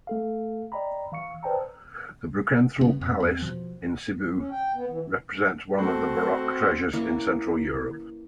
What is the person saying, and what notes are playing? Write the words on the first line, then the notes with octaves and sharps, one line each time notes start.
The Brukenthal Palace in Sibiu represents one of the Baroque treasures in Central Europe.
A3 A4 F5
D5 D#5 G5 A#5 B5
E3 F5 C#6 C#7
B4 C5 D5 G5 A5 A#5
G1 C#3 B3 C#4
F2
E2 B3 C4
B2 F3
C#4
G5
B3
E3
A3 C4 F#4
E3 A#3 C#4 E4